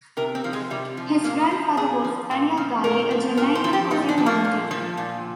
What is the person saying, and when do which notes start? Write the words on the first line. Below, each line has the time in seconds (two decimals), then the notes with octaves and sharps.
His grandfather was Daniel Gully, a Jamaican coffee planter.
0.17 C3 A#4
0.35 C4
0.44 F3
0.53 G#3
0.70 C3 G3
0.97 F3
1.24 A#2 A#3
1.51 F3
1.77 A#2 G#4
2.04 F3
2.31 A#2
2.57 F3
2.84 A#2 A#4
3.11 F3
3.37 A#2 A#4
3.55 C5
3.64 F3
3.73 G4
3.91 A#2 D#4
4.09 D4
4.18 F3
4.26 A#3
4.45 A#2
4.71 F3
4.97 A#2